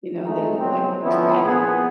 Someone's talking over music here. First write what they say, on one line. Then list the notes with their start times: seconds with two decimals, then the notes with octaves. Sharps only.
you know, they look like dragon.
0.24 G#1 G#3 A3 D#4
0.58 C#3 F#3 B3 C4
1.03 D3 E3 F3 B3 C#4 E4
1.45 A#1 B3 G#4